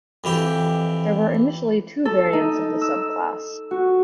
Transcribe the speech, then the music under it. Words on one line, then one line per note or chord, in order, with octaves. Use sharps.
There were initially two variants of this sub-class.
F2 E3 G4 G5
A4
D#4
E6
F#4